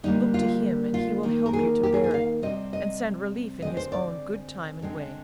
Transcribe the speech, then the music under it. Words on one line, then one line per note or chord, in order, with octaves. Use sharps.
Look to Him and he will help you to bear it, and send relief in His own good time and way.
D3 G3 A#3 D#4
F4
F4
D#3 A#3
A#4
G#4
G4
G#4
G#4
F5
C3 G3 C4 D#5
D#5
D3 G#3 C4 D#5
C5
D5
D3 G#3 C4